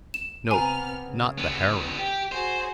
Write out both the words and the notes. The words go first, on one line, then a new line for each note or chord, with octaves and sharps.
Nope, not the harem.
E7
C3 B3 G#5 A#5 F6
C#3
D3 B3
G4
F#4 G#4 C5